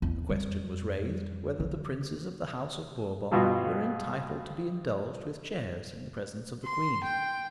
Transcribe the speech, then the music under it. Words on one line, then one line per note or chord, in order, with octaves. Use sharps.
A question was raised whether the Princes of the House of Bourbon were entitled to be indulged with chairs in the presence of the Queen.
E2
F2 G3
D3
G2 B2 F4 F#4
C6
G5